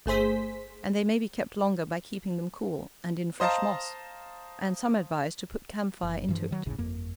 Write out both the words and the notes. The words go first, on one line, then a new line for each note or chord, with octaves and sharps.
And they may be kept longer by keeping them cool, and in fresh moss; and some advise to put camphire into it.
G1 A3 G#4 C5 B6
C5 D#5 F5 A5 A#5
F#1
G2 E3 F3
D#3 F#3
G#1 D2 A2 C#3
G1 F2 A#3